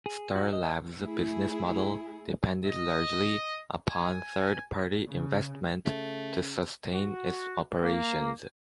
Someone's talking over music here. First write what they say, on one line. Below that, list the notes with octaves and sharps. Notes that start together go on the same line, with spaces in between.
Starlab's business model depended largely upon third-party investment to sustain its operations.
G#4
F#4
D#5
A3 E4 G#4
D#5
G#5
C#3
C#3 A3
F#4
A#3